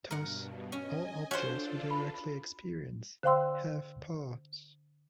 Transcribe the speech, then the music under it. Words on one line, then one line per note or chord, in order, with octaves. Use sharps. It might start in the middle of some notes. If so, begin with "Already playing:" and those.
Thus all objects we directly experience have parts.
G2 B2 A#4 F#5
C#4 D#5 G#5
C#4 D4 F4 F#4 A4 C5 F#5
B4 B5
D3 C5 F5 G5 C6 E6